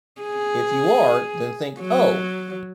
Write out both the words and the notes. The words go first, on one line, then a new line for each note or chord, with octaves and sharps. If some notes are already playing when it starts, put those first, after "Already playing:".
If you are, then think Oh!
G#4
F#3